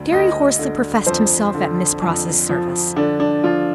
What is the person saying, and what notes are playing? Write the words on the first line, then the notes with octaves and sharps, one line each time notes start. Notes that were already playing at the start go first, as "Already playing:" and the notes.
Jerry hoarsely professed himself at Miss Pross's service.
Already playing: D2 D3
D2 D#5
D3
F2 C5
D3
F2
F3
D3 D4
D4
F3 F4